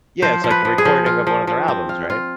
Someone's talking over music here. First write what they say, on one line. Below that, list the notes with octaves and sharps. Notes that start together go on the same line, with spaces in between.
Yeah, it's like the recording of one of their albums, right?
F3 C5
F3
B4
F3
G#4
F3
F4
F3
F3
C4
F4
F4